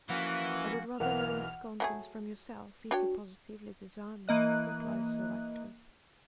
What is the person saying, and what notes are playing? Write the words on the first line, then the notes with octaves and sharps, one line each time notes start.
'I would rather learn its contents from yourself, if you positively desire me,' replied Sir Ratcliffe.
E3 F3 A#3 C#4 F#4 F#5 F6
B1 E3 A#3 F#5 F6
F#3 A3 G#4
D4 F#4 C#5 G5
E3 A#3 D#5 F#6